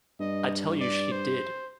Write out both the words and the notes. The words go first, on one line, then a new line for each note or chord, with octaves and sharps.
I tell you she did.
G2 D#5
D5
C5